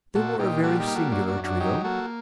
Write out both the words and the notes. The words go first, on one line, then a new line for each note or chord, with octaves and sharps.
They were a very singular trio.
A#2 F#4 A4
A#2 D#4 G4
G3 F#4 A4
D#4 G4
A#3
F#4 A4
F#2 D4 F#4
D4 F#4
F#2
D4 F#4
F#3 D#4 G4
A#3 F#4 A4